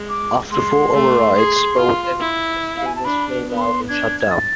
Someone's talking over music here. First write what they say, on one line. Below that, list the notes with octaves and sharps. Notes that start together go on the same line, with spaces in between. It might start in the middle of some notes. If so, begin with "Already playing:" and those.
After four overrides, both engines experienced flameout and shut down.
Already playing: G#3
D6
G#3 C6
A3
G#4
F4
E4
F5
G#5
A5
D4 B5
B3
B5
C6
D4 G#6
G#6
A6